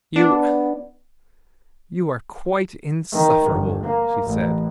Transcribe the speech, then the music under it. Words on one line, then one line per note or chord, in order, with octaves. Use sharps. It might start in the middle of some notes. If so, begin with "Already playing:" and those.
"You... you are quite insufferable," she said.
B3 D4
D#3
G1
A#3
A1